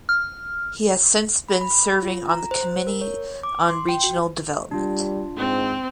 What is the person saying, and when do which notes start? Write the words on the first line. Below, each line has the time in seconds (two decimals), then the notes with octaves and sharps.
He has since been serving on the Committee on Regional Development.
0.09 F6
1.49 B5
1.61 B5
2.03 F4
2.29 A#5
2.51 C5
2.87 A#4
3.01 C#5
3.43 D6
3.69 C6
3.89 G5
4.04 F#4
4.71 G3 D4 F4
5.37 G#2 C4